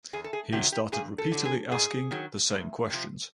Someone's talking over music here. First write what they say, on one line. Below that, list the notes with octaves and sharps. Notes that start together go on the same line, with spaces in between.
He started repeatedly asking the same questions.
E2 G#4
A4
G#4
C3 D#3 F#3 G4
G4
G2 G#4
A4
D3 F#3
G#4
G#2 G#4
D#3 F#3
E2
C3 F3